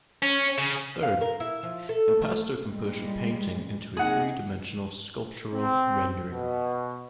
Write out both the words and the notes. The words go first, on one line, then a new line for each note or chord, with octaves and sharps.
Third, impasto can push a painting into a three-dimensional sculptural rendering.
C#4
C#3
F5
A#4
E4
F3
A4
A3
A#2 G3 G#3
C3 A#3 D#4 G#4 F#5
C4
B2